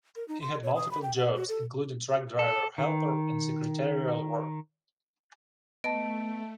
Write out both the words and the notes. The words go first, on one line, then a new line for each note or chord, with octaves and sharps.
He had multiple jobs, including truck driver helper and secretarial work.
A#4
D#4
C6
C#5
D#6
B5
G5
F#5
F#4
A4
A4
D#3
A3 B3 D#5 A5 D7